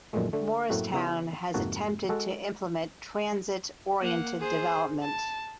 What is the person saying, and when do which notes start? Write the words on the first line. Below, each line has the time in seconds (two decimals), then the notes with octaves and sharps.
Morristown has attempted to implement transit-oriented development.
0.13 F#2 A#2 D#3 F3 G#3 A3
0.33 D3 A3
0.70 F#2 A2 A3 A#3 C4 F#4
0.93 C#3 B3 E4 G4 C#5
1.54 F2 G#2 C3 A#3 F#4 A5
2.09 G#3 F#4 A4
4.01 A#3 F#5
4.40 G#4 C5
5.02 A5